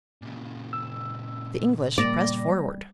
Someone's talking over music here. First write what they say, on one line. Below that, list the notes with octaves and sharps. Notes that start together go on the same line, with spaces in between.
The English pressed forward.
A#2 C#3
E6
G3 A#3 D5 A#6